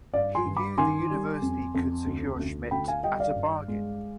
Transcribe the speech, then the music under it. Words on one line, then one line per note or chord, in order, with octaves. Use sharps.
He knew the University could secure Schmidt at a bargain.
G2 D5 F5
G#5 C6
G2
B5 D6
D#3 G#5 C6
G3
F2
F2
D2
D2
D2 G5 B5
F5 G#5
G3 D#5 G5
D5 F5
G2
G#3